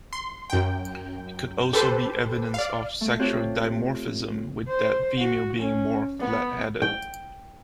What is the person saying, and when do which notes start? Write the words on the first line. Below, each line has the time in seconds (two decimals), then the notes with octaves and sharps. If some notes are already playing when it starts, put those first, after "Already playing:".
It could also be evidence of sexual dimorphism with the female being more flat-headed.
0.13 C6
0.50 F#2 G5
1.73 G4 A4 B4 C5
2.54 D5 F5
3.01 A3
3.19 C4 F4 G4 C#5 F#6
4.68 C5
5.18 F#4
5.59 C#4
6.20 B3
6.82 G5